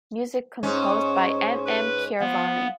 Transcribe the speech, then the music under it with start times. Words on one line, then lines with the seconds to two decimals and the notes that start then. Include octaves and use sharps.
Music composed by M. M. Keeravani.
0.63 G#2 C#4
1.66 B4
2.20 F3 B3